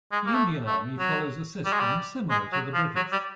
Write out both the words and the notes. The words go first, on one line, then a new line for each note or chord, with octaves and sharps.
The Indian Army follows a system similar to the British.
G#3
A#3
A3
A3
F#3
G3
G#3
G3
G#3
F#3
F3
F#3
G3